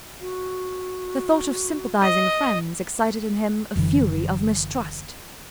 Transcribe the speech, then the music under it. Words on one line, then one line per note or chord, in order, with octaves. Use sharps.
The thought of sympathizing friends excited in him a fury of mistrust.
F#4
D#5
F#1 F#2 D3 E3